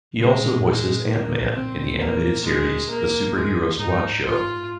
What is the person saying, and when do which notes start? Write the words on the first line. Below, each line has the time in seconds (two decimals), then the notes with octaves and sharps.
He also voices Ant-Man in the animated series "The Super Hero Squad Show".
0.19 C3 G#3
0.28 A#2
0.36 G#2
0.44 A#2
0.64 G#3
1.09 A#3
1.54 C4
1.99 A#3
2.44 G#3
2.89 A#3
3.34 G#3
3.79 G#2 D#4
3.87 F#2
3.94 G#2
4.25 F4